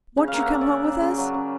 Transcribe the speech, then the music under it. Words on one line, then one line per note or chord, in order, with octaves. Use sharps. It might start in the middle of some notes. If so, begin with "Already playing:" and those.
"Won't you come home with us?"
C#3
F5
A#3
E5 F#5
C#3
D5 E5
C#3
C#3
C#3
F#3
C#3